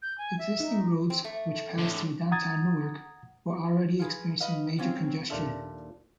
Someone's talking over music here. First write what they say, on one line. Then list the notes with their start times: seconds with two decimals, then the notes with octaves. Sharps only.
Existing roads, which passed through downtown Newark, were already experiencing major congestion.
0.02 G6
0.18 G#5
0.39 E5
0.60 D#4
1.10 C4
1.25 A3
1.78 A2 D3
2.31 F#5 A#5 D#6 G#6 A6
3.99 F4 G#4 B4
4.40 B4 D#5 F5
4.78 G3 C4 C#4 F4
5.30 D#2 A#2 D4 F4 A4 E5